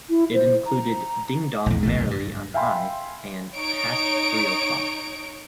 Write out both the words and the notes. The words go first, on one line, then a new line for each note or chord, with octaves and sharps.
It included "Ding Dong Merrily on High" and "Past Three O'Clock".
E4
C5
A#5
A#1 E2
G#1 C3 A3
B1 F#2
G2
E5 F5 G5 G#5 B5 C6
D#4 C#5 D7